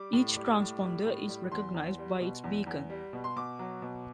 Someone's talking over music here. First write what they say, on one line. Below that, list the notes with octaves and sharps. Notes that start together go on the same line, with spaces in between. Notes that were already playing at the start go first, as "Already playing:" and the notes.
Each transponder is recognized by its beacon.
Already playing: G3 D6
A2
G3
A2
G3
A2
G3
E2 C6
E2
G3
B2
E2
E2
G3
B2
C6
B2 D6
F#3
B2